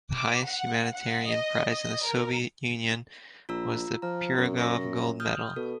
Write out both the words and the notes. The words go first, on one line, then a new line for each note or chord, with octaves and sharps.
The highest humanitarian prize in the Soviet Union was the Pirogov Gold Medal.
D6
F#5
F#5
D#5
D#5
A#4
A#1 F4 A#5 E6
F3 A#5
F#2
C#6 A#6
D#6 F6 G6
B2 A4